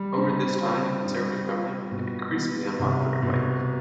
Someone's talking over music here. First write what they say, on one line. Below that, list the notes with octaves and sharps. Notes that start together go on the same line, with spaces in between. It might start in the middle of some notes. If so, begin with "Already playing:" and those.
Over this time, the Conservative government became increasingly unpopular in Wales.
Already playing: G3
C4
F4
G3
F4
B2
B3
C2
B2